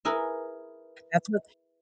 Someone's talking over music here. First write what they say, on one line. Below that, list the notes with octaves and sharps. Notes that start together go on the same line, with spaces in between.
That's what
E4 G#4 A#4 B4